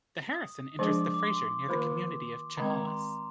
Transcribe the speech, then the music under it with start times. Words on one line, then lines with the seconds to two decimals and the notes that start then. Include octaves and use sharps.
The Harrison enters the Fraser near the community of Chehalis.
0.35 D#6
0.79 F3 G#3 D4 G#4 D5 D6
1.14 D6
1.23 C6
1.68 D#3 A#3 F4 C5
2.57 D#3 G#3 C4 A#5
2.76 A#5
2.87 C6